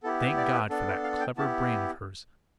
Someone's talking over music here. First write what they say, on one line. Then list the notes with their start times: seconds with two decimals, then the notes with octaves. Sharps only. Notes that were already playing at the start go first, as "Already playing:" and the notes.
Thank God for that clever brain of hers!
0.03 B3 E4 G4 A4
0.20 B4
0.37 D5
0.54 B4
0.70 B3 D4 A4
0.88 B4
1.04 F5
1.20 G5
1.37 B3 E4 G4 A5